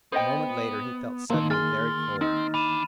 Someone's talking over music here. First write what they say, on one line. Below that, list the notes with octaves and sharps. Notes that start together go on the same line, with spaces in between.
A moment later he felt suddenly very cold.
B3 C5 D#5 G5
D#3 A#3 C4 A4
D2 G#4 C6 F6 A6
C4 D#4
E3 D4 B5 D#7 E7